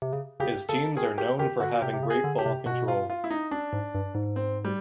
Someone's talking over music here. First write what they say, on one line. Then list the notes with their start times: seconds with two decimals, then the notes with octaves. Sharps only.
His teams are known for having great ball control.
0.02 C3
0.13 C#3
0.40 C#3 G4
0.69 C#3 A4
0.97 D#3 G#4
1.18 D#3 G4
1.39 D#3 G4
1.60 D3 F#4
1.82 C3 G4
1.94 C3
2.03 C#3
2.10 G#4
2.24 D3
2.39 G4
2.46 C3
2.66 B2 F#4
2.88 F4
3.10 F4
3.24 E4
3.30 D#4
3.51 D4
3.73 G#2
3.95 G2
4.15 G#2
4.36 C4
4.65 G3